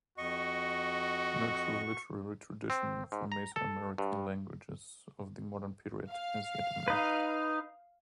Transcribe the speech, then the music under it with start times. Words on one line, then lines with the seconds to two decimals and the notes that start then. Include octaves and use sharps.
No true literary tradition for Mesoamerican languages of the modern period has yet emerged.
0.18 F2 F#4 D#5 C#6
2.70 C4
3.12 G#2
3.32 A#5
3.56 A4
3.98 G2
6.09 F5
6.88 D#4 B4